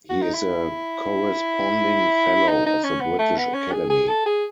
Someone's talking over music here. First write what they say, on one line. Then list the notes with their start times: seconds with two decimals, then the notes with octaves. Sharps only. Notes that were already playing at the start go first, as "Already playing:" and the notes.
He is a Corresponding Fellow of the British Academy.
0.09 F#4
0.22 D#4
0.34 E4
2.48 D#4
2.66 D#4
2.84 C#4
3.01 B3
3.19 A3
3.37 B3
3.54 C#4
3.72 G#4
3.90 G#4
4.08 A4
4.26 G#4